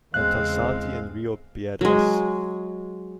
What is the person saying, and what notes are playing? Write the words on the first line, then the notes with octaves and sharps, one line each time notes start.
Antonsanti in Rio Piedras.
E2 C#3 G#3 C4 F5 F#6
F#3 G#3